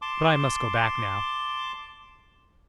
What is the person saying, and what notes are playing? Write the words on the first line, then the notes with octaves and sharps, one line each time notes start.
But I must go back now.
A5 C6 D6